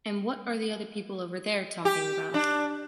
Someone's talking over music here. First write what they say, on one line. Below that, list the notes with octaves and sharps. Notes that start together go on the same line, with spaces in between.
And what are the people over there talking about?
G4
D4